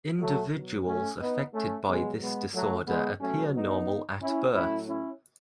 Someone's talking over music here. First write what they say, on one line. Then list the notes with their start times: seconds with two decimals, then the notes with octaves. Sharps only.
Individuals affected by this disorder appear normal at birth.
0.20 F#3 A3
0.54 B2 F#3
0.87 A3 C#4
1.21 B3 D#4
1.54 A3 C#4
1.88 B2 F#3 G#3 B3
2.21 G#3 B3
2.54 F#3 A3
2.88 G#3 B3
3.21 B2 F#3 A3 C#4
3.55 B3 D#4
4.22 C#4 E4
4.55 A2 F#3 C#4 E4
4.88 C#4 E4